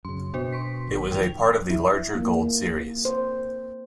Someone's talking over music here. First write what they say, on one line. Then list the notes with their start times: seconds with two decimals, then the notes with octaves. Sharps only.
It was a part of the larger Gold series.
0.05 F#2 C#3 C6
0.34 B2 D4 F#4 C5
0.52 C6 C#6 B6
0.87 G#1
1.11 G#2 D#3 F3 G5 F7
1.70 E4
2.15 A#3
3.05 C5